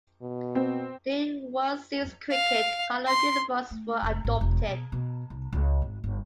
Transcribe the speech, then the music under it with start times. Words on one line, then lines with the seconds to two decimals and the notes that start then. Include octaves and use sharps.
During World Series Cricket, coloured uniforms were adopted.
0.22 B2
0.55 C4
2.31 F5
3.07 C6
3.71 A3
4.03 F1
4.25 G#1
4.41 E1
4.67 B2
4.92 B2
5.30 C2
5.53 C#2
5.82 G#1
6.04 G1